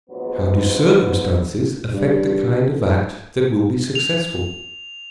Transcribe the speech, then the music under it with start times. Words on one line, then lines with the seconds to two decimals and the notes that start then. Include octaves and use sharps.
How do circumstances affect the kind of act that will be successful?
0.10 A#1 D#2 G#2 F#3 B3
1.93 G2
3.95 F7